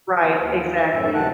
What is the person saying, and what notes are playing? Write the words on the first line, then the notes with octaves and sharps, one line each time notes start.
Right, exactly.
B3 C5
D#2
F#2 A2 E5
D2 C3 D#3 F#5 A5 F#6